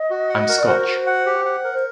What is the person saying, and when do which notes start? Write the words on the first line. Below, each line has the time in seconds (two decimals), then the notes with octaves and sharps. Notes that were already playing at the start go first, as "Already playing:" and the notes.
I'm Scotch.
Already playing: D#5
0.10 F#4
0.29 F#5
0.49 A#4
0.59 D5
0.68 F#4 C5
0.88 F#4
1.07 F#5
1.26 G4
1.45 F#5
1.64 A#4
1.74 C5